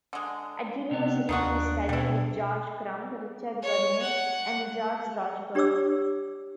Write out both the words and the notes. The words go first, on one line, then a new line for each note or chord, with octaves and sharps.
At university, he studied with George Crumb, Richard Wernick, and George Rochberg.
D3 G#3
C3 B3
D#2 D4 D#4 F4 F#4
B2 G3 E4
C#5
F#5
D4 G4 C#5 D5 D6 E6